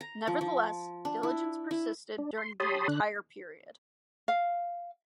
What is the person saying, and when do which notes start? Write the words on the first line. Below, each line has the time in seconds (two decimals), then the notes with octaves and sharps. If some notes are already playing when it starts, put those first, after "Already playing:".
Nevertheless, diligence persisted during the entire period.
0.01 A#5
0.27 F3
0.41 F3
1.05 D4
1.23 E4
1.71 E4
2.18 D4
2.38 C6
2.60 G4 C#5 A5 B5 C6 D#6
2.88 D3 D4 F#6
4.28 F5